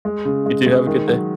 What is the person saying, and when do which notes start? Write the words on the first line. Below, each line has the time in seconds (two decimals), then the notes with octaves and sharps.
You too, have a good day.
0.05 G#3
0.25 C#3
0.46 G#3
0.66 G#3
0.87 D#3
1.08 F#3